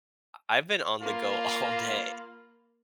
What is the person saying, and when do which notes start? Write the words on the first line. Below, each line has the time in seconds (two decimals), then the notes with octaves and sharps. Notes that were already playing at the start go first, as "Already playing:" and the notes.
I've been on the go all day,
1.01 A#3 F4 B5